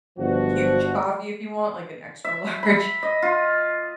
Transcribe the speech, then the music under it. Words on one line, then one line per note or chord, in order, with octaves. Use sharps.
huge coffee if you want, like an extra large,
G1 F3 F#4
E5
B5
D#5
F4